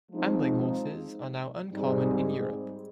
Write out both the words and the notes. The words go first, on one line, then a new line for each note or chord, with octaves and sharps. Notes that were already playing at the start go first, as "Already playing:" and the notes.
Ambling horses are now uncommon in Europe.
F3 G#3 C4 D#4
G#2 G3 C4 D#4 G#4